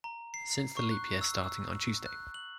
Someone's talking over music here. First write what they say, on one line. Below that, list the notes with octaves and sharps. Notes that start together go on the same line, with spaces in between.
Since the leap year starting on Tuesday.
A#5
C7
C#6
F#6
E6
E6
F#6
F#7